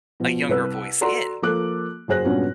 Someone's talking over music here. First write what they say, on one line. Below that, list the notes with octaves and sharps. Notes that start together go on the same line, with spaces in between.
a younger voice in
B2 F3
C2 B4 E6
F#4 A4 D5 A#5 C6
F3 A#3 A4 D6 F#6
F#1 F#3 G#4 C5 F#6 A#6
G2 A#2 C#3 F#3 B3 C#4